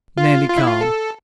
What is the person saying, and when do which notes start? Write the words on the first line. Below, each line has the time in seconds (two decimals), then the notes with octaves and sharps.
Nearly calm.
0.18 F4
0.49 F4
0.58 E4
0.66 F4
0.81 A4